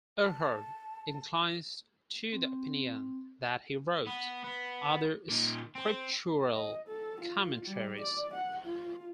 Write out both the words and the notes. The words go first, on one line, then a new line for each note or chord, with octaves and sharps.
Ehrhard inclines to the opinion that he wrote other scriptural commentaries.
A5
C4
B3
B3
A#2 D#3
C4
D#5
A4
F4
G3
D5
F#5
F4